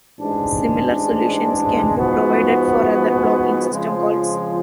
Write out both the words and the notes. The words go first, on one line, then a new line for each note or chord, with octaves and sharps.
Similar solutions can be provided for other blocking system calls.
A1 G#2 G#3 D4
G#2 F3 B3 F#4
F2 C#3 F3 G#3